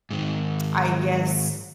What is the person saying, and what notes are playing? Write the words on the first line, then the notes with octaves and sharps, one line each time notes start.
I guess,
G#2 D#3